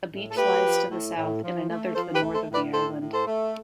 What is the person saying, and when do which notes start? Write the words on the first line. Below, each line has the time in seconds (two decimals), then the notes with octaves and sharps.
A beach lies to the south, and another to the north of the island.
0.11 A2
0.31 A4
0.37 A3 G4 B4
0.63 F3
0.90 A2
1.16 A2
1.42 F3
1.69 A3
1.95 F3 A4 C5
2.14 G4 B4
2.21 A3
2.34 A4 C5
2.48 A2
2.54 B4 D5
2.74 A2 A4 C5
3.00 A2
3.13 A4 C5
3.26 A3